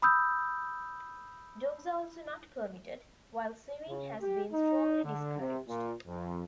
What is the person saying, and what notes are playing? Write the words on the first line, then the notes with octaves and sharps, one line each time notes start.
Dogs are also not permitted, while swimming has been strongly discouraged.
B5 D#6 E6 G6
C#3
G4
D#4
D3
C3
A#2
F2